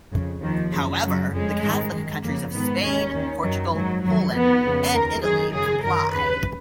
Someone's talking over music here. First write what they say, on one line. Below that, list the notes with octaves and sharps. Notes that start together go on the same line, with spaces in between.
However, the Catholic countries of Spain, Portugal, Poland, and Italy complied.
F2 C#3
D#2 D#3 F3
F#2 C#3
F#2 C#3 F#3
F2 C#3 G#3
G#2 D#3
F#2 D#3
F2 C#3 A#3
G#2 D#3 B3
D#2 D#3 C#4
D#2 D#3
F#2 D#3 F#3
G#2 D#3 F#3
F2 D#3 F#3
F2 D#3 B3
F2 C#3
D#2 D#3 A#4
F#2 D#3 G#4
F#2 C#3 G#4
F#2 D#3 A#4
D#2 C#3 B4